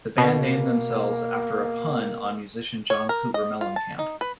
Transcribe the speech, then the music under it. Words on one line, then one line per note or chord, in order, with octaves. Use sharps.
The band named themselves after a pun on musician John Cougar Mellencamp.
B2 A#3
C#5
A#4
D#5
F4
A5
D#4
B4